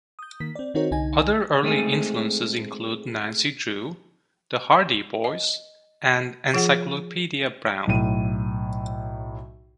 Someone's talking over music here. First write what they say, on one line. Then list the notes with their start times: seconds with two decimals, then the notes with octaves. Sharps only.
Other early influences include Nancy Drew, The Hardy Boys, and "Encyclopedia Brown".
0.19 D#6 G6
0.40 D#3 A#3 B6
0.55 C4 D5
0.74 D#3 C4 D#4 F#4 A#4 C#5
0.91 C2 D3 D#4 G#5
1.63 G#3 A3 C4 D#4 G#4
5.24 D#5
6.54 F3 F4 G#4 F#5
7.87 B1 A2 D#7